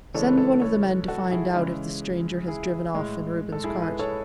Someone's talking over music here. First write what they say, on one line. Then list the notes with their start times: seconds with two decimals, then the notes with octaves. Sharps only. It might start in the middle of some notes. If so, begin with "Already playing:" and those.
"Send one of the men to find out if the stranger has driven off in Reuben's cart."
0.14 C#3 E3 G#3 A4 C#5
0.27 B4
0.37 A4 C#5
0.62 A4 C#5
1.08 F#4 A4
1.31 E4 G#4
1.55 C#3 E3 G#3
2.47 E4 G#4
2.94 A2 G#3
3.52 A4
3.64 E4 G#4
3.82 G#4 B4
3.99 A4 C#5